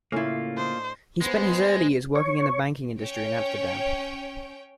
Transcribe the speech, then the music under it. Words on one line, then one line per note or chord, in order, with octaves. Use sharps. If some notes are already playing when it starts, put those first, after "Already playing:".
He spent his early years working in the banking industry in Amsterdam.
A2 C#3 A#3 C#4 E4 F4 D5
D4 C5 D#5
G#3 B3 C5
C#5
C#4 C#5 G5